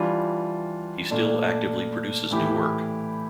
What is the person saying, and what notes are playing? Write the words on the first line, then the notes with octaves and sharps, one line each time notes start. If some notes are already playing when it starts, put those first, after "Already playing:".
He still actively produces new work.
Already playing: E3 G3 D4 F4
A#2 A3 D4
A2 E3 A3 E4 G4